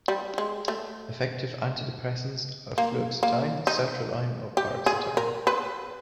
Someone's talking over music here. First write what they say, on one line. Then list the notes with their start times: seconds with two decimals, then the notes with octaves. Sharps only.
Effective antidepressants are fluoxetine, sertraline, or paroxetine.
0.08 G3
0.38 G#3
0.68 A3
2.78 A#3
3.23 A#3
3.67 D#4
4.57 G4
4.86 G#4
5.17 A#4
5.47 B4